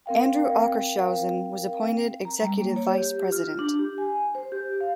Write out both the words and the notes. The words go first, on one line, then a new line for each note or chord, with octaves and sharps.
Andrew Ockershausen was appointed executive vice president.
C4 A#4 F5 G5
A#5
G3
A#3
C#5
G4
F4
D4
G4
G#5
C5
G4
F5